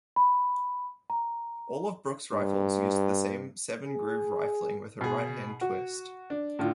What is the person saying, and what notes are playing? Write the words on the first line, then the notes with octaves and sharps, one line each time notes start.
All of Brooke's rifles used the same seven-groove rifling with a right-hand twist.
B5
A#5
G2
G#4
B2 G#4
F#4
D4
A2 D3 F4